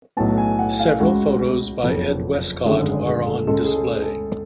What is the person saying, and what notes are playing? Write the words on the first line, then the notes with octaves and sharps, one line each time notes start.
Several photos by Ed Westcott are on display.
B1 A2 F#3 B3 A5
G#5
F#5
F5
C#2 C#3 G#3 F#4
F#1 F2 F3 B3
G#1 F#2 D3 G#3 G#4
G#4
G#4
A4
C#2 C#3 G#3 A4
G#4
A4
G#4
A4